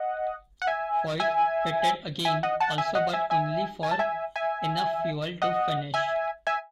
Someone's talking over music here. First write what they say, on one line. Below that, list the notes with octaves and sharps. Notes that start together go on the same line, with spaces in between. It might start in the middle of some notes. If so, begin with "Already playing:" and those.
Foyt pitted again also but only for enough fuel to finish.
Already playing: D#5 F#5
F#5
E5 G#5
E5 G#5
E5 G#5
D#5 F#5
F#5 A5
E5 G#5
D#5 F#5
E5 G#5
E5 G#5
G#5
A5
E5 G#5
E5 G#5
D#5 F#5
E5 G#5
E5 G#5